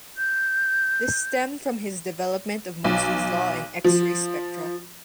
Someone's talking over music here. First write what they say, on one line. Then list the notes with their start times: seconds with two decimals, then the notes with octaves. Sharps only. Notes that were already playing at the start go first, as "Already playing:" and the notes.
This stemmed from his development of Moseley's law in X-ray spectra.
0.18 G6
2.84 B1
3.84 F3